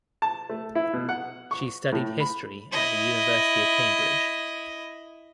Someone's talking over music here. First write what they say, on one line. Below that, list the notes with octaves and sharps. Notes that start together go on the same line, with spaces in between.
She studied history at the University of Cambridge.
A5
A3
E4
B2
F#5
C#6
A2
B5
E4 D#5